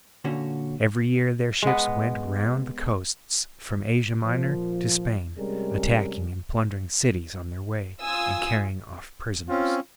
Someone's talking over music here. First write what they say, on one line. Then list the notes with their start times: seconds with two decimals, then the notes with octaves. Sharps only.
Every year their ships went round the coasts from Asia Minor to Spain, attacking and plundering cities on their way and carrying off prisoners.
0.24 A#2 D3 C#4 F#4
1.62 G#3 B3
4.24 A#2 F3
5.37 C3 G3 G#3 C#4 G#4 A#4
8.01 F4 G#5 D#6 E6
9.50 C4 C#4 F4